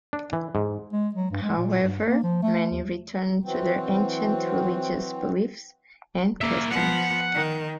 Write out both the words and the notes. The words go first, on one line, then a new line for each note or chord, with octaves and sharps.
However, many returned to their ancient religious beliefs and customs.
D4
E3
G#2
G#3
F#3
G2
G#3
A#2
G2
A#3
F3
A3
D#2
E3 F#3 C4
A#3 E5
F3 B3 F#5
D#3